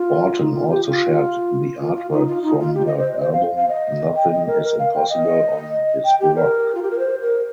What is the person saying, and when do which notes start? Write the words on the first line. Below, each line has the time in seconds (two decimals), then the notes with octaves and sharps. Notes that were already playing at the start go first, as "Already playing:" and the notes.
Orton also shared the artwork from the album Nothing Is Impossible on his blog.
Already playing: F4
0.38 D#4
0.54 F4
0.70 G4
0.86 F4
1.81 F4
1.96 F4
2.12 D#4
2.28 F4
2.43 D#4
2.59 F4
2.74 G4
2.87 D#5
2.98 C5
3.21 C5
3.33 F5
3.57 F5
3.69 D#5
4.16 G5
4.32 D#5
4.47 A#4
4.64 A#4
4.79 F5
4.95 G5
5.10 D#5
6.04 G5
6.20 G4
6.36 A#4
6.75 F4
6.82 G4
6.91 A#4
6.99 C5
7.22 A#4